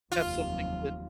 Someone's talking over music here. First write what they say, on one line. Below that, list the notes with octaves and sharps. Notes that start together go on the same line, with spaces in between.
have something that
F1 D#2 F#3 F4